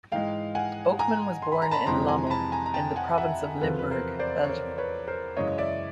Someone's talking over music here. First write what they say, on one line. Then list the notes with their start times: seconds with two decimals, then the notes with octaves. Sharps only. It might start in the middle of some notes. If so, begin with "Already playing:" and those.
Oakman was born in Lommel, in the province of Limburg, Belgium.
0.12 G#2 E3 G#3 F5 G5
0.55 F#5 G#5
0.99 G#5 A#5
1.42 C6
1.52 B5
1.62 A#5
1.71 A5 B5
1.86 F2 C3 E3 G#3 A#5 C6
2.08 G#5 A#5
2.27 A#5
2.30 A5 B5
2.52 G#5 A#5
2.66 A#5
2.74 G5 A5
2.96 F#5 G#5
3.18 E5 F#5
3.61 E2 C3 F3 A4 B4
3.79 B4
3.91 A#4 C5
4.19 C5 D5
4.43 C#5
4.49 A#4 C5
4.78 B4 C#5
5.07 A#4 C5
5.37 F#2 C#3 E3 G#3 C#5 D#5
5.58 D5 E5